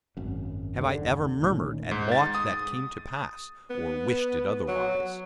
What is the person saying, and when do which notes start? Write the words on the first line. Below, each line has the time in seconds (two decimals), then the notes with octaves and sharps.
Have I ever murmured at aught that came to pass, or wished it otherwise?
0.17 G#1 F#2
0.77 F#1 D#2 D3
1.42 D2 A#2 D#3 C#4
1.91 G#2
2.12 A6
2.35 D#6
3.70 B3
4.68 F#3